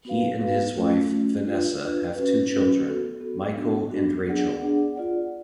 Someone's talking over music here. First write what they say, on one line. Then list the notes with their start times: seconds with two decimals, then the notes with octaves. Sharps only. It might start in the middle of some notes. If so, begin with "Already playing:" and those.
He and his wife, Vanessa, have two children, Michael and Rachel.
0.05 B3 F#4 B4 F5
0.40 B3 F#4 B4 F5
0.75 A3 C#4 F4
1.10 A3 C#4 F4
1.45 D4 F4 B4
1.80 D4 F4 B4
2.15 C#4 F#4 B4
2.50 C#4 F#4 B4
2.85 B3 F#4 A4
3.20 B3 F#4 A4
3.56 B3 D4 F#4
3.90 B3 D4 F#4
4.26 B3 D4 G#4 D5 F#5
4.61 B3 D4 G#4 D5 F#5
4.96 F4 G#4 D5 F#5